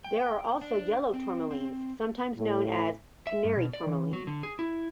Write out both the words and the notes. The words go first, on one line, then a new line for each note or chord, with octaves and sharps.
There are also yellow tourmalines, sometimes known as canary tourmaline.
G5
D4
C4
C4
A2
E5
G2
B2
D5
E3
F#3
D3
G#4
E4